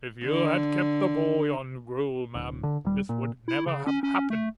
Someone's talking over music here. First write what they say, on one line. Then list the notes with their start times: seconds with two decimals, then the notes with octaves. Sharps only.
If you had kept the boy on gruel, ma'am, this would never have happened.'
0.25 D3
2.35 D1
2.63 D3
2.85 D#1 G3
3.09 A#2
3.48 E4
3.66 C#3
3.87 C#4
4.03 C#4
4.30 A3